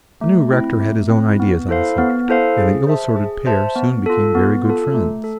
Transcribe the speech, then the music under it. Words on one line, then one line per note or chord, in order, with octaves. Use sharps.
But the new rector had his own ideas on the subject, and the ill-assorted pair soon became very good friends.
A3
C4 E4
A3
C4 E4
B3
E4 A4 C5 F5
B3
E4 A4 C5 F5
G#4
C5 E5 A5
G#4
C5 E5 A5
B3
F4 A4
B3
F4 A4
A3
A4